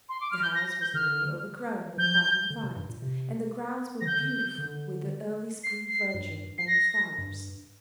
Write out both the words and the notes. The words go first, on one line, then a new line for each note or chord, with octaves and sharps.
The house was nearly overgrown with climbing vines, and the grounds were beautiful with the early spring verdure and flowers.
C6
D6
F6
G6
A#6
A#6
G6
D3 F6
F3 G6
D3
C3
G2
A#2
C3
F3 A#6
D3 G6
D3
C7
C7
G2
C7
A#6
G2